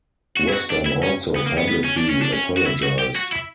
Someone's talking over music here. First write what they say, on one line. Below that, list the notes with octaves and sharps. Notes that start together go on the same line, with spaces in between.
Western also publicly apologized.
F#4
E4
F#4
D4
E4
C#4
B3
A#3
B3
B3
C#4
D4
C#4
D4
C#4
F#4
E4
F#4
G4
F#4
E4